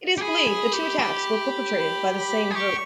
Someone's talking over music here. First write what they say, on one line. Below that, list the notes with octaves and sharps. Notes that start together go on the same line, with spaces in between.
It is believed the two attacks were perpetrated by the same group.
G4
G#4 B5
G#4
G4
G4
B5
B5
G#4
G4 C#6